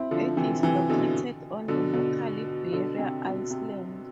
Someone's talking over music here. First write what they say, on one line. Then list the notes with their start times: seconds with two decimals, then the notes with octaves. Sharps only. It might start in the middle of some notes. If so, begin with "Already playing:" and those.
It is located on the local barrier island.
Already playing: C4 E4
0.11 D3 F3
0.37 C3 E3
0.63 C3 E3
0.89 B2 D3
1.68 B2 D3
1.93 B2 D3
2.72 B2 D3
2.98 C3
3.24 B2
3.51 C3